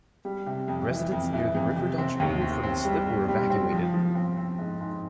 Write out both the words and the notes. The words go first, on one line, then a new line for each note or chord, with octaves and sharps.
Residents near the river downstream from the slip were evacuated.
G3
C3
F2
E3
F2
E3
F2
C3
C4
D#2
C4
C4
G3
G3
G3
C4
F3
F3
C4
C4
G#2
G#2